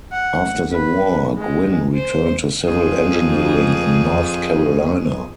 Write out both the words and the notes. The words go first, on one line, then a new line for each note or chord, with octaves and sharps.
After the war, Gwynn returned to civil engineering in North Carolina.
F#5
B4
G#3
C5
F2 G#4